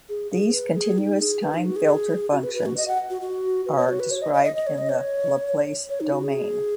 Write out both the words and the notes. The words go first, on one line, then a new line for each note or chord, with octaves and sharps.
These continuous-time filter functions are described in the Laplace domain.
G#4
G#4
B4
G#4
D#4
G#4
B4
D#4
F#4
G#4
F#4
B4
B4
F#4
D#5
F#5
F#4
F#4
B4
C#5
F#4
B4
C#5
D#5
D#5
D#5
D#5
C#5
D#5
C#5
C#5
D#4
F#4
G#4